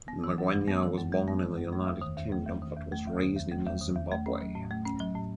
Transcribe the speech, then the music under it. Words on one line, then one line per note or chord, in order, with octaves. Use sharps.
Ngwenya was born in the United Kingdom but was raised in Zimbabwe.
B3
E3
F#2
G#3
B3
E3
F#2
G#3
B3
E3
F#2
A3
E2
D#3
E2
A3
E2
D#3
E2
A3
E2
D#3
E2
A3
E2
D#3
E2
A3
C#4
F#3
A2
A3
C#4
F#3
A2